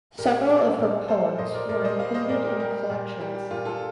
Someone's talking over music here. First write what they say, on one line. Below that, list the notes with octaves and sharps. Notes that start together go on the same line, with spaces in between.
Several of her poems were included in collections.
A#2 G4 A#4
A#2 A4 C5
A#2 A#4 D5
G3 A4 C5
A#2 C5 D#5
A#4 D5
A#2 A#4 D5
C5 D#5
G3 D5 F5
C5 D#5
A#2 A#4 D5
G4 A#4
G3 G4 A#4
A#2
G3 G4
G4
A#2 F4
F4 A4